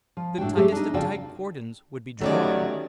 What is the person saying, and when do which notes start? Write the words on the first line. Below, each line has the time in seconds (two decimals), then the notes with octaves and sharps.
The tightest of tight cordons would be drawn.
0.17 F3
0.38 A2 D4 F#4 G5
0.56 F#3 G3 A3 G4 G#4
0.72 D4 D#4
0.94 F2 C#3 F3 F#4 D5 G5
2.21 D#3 F#3 G3 A3 C#4 D5